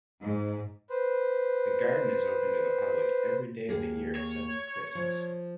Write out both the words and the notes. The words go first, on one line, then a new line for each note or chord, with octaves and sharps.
The garden is open to the public every day of the year except Christmas.
G#2
B4 C5
D#2 A#3 G#4
C#5
F3